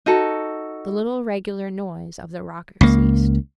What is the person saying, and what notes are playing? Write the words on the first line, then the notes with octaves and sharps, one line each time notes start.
The little regular noise of the rocker ceased.
D#4 F#4 A4
C#2 A#3